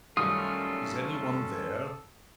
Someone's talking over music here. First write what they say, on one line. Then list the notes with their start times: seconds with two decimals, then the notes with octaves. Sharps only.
"Is any one there?"
0.17 F#2 D#3 G3 A3 C#4 F4 A4 D#6